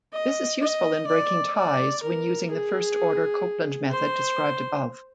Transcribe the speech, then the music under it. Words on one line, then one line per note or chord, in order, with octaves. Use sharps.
This is useful in breaking ties when using the first-order Copeland method described above.
D#5
D#5
D5
D5
A#4
G#4
C5